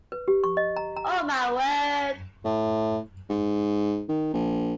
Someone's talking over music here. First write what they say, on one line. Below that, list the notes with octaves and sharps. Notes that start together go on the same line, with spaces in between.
Oh my word.
B4
G4
C#6
D#5
A#5
A#5
A2
G#2
D#3
A#1